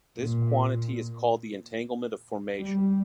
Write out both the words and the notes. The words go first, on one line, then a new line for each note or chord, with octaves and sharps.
This quantity is called the entanglement of formation.
A#2
G3